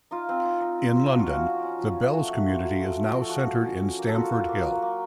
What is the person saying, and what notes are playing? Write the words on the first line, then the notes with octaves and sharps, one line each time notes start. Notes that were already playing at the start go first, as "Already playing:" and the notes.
In London, the Belz community is now centred in Stamford Hill.
D#4 F4
C4
D#4
D#4
D#4
C4
F3 F#4
F4
C#4 F#4
F3
C#4
F3
C#4
A3 F#4
F#3
F4
F#3
A3
A3
F3 F#4
A4
F3 F#4
F3
C#4
C#4
A#3
A4
F4 F#4
F4
A#3
F#3
A#3